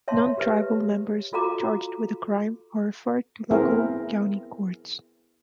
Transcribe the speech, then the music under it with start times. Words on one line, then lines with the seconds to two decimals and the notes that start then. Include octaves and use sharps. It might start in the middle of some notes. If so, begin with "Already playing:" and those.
Non tribal members charged with a crime are referred to local county courts.
0.08 C#5 E5 F5 A5 C6
0.38 G4 B4 E5
1.33 F4 F#4 A4 F5 A#5 D6
3.51 B3 C4 E4 G#4 A#4